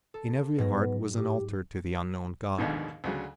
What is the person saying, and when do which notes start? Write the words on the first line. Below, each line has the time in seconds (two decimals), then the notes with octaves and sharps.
In every heart was an altar to the Unknown God.
0.14 A4
0.58 G#2 F#3 B3 A#6
1.17 G4 D6
2.58 A#1 D#2 G#2 B2 D3 D#3
3.04 D2 C#3 F#3